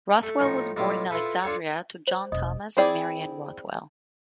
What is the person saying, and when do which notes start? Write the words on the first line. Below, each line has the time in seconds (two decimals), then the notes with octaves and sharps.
Rothwell was born in Alexandria to John Thomas and Mary Ann Rothwell.
0.23 A3
0.39 A2 F3 D#4 C#6
0.76 B1 A2 E4 F4 D6
1.10 E4 F4 A4 B4 E5
1.44 D4 F4 A4 C#5
2.07 C5
2.32 E1 D#5 D#6
2.77 C4 E4 G#4 D5 G5